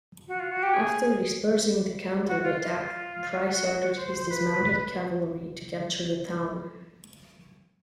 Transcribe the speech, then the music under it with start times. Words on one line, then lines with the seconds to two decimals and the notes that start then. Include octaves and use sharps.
After dispersing the counterattack, Price ordered his dismounted cavalry to capture the town.
0.28 F#4
0.40 F4
0.51 F#4
0.63 G4
0.74 G#4
2.27 F#4
2.43 F4
2.69 F4
3.50 F#4
3.96 C5
4.07 C5
4.19 C5
4.30 B4